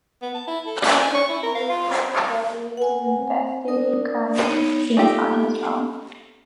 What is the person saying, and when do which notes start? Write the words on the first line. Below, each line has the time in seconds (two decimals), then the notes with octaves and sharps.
However, he later graduated to investigating crime scenes on his own.
0.22 B3
0.35 A5
0.48 E4
0.67 A4
0.82 D5
1.02 G#5
1.15 C#6
1.29 E4
1.43 A#4
1.55 F5
1.70 F4
2.77 B4 F#5 G#5
3.18 C4
3.68 D4 A#4 D#6
4.44 B3 D#4 C#5
4.97 A3 D#4 F4 G4